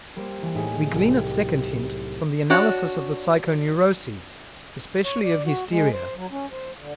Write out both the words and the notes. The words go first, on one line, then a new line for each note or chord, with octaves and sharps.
We glean a second hint from the analysis of the psychoneuroses, especially of hysteria.
G3 A#3 C5
E3
A2 D#4 G#4 B6
C2 F#3 G4
D4 F#4 C#5
C#5
D5
F#4
G#3
C5
F#3
C#4
C5
D3